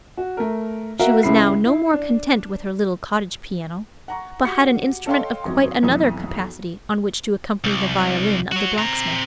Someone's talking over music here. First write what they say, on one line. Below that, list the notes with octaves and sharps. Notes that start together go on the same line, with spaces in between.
She was now no more content with her little cottage piano, but had an instrument of quite another capacity on which to accompany the violin of the blacksmith.
F#4
A3 A#4
F#4 A#4 E5 F5
C#2 C#3 E4 B5 C7
E4
D4
F#5 A#5 C#6
F#4 G4 C#7
A4 C#5 D#5 F5 G5 C6
G#1 F#2
B1 F2 E3 D#6
C2
F#4 C#5
C4 A#5